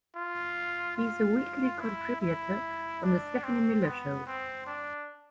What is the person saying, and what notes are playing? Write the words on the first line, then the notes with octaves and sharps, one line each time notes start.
He is a weekly contributor on "The Stephanie Miller Show".
F4
F4
E4
E4
D4
C4
B3
C4
D4